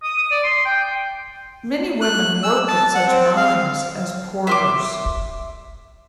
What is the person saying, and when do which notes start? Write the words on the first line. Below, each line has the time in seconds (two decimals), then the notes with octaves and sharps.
Many women work at such mines as porters.
0.03 D#6
0.17 D#6
0.31 D5
0.44 C6
0.65 G5
2.01 F#6
2.43 E6
2.68 A5
2.95 F#5
3.08 C4
3.36 F5
4.47 E5 C6 D6